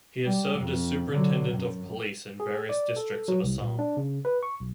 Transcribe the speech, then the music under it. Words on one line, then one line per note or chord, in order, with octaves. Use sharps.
He has served as Superintendent of Police in various districts of Assam.
G3
F2
D3 F#3
F#2
G#4
D5
A4
F#3
C2
A#2
D4
C#3
B4
C#6
B1